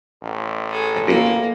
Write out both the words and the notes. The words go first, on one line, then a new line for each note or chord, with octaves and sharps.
I think,
A1
G#4 A4
A#3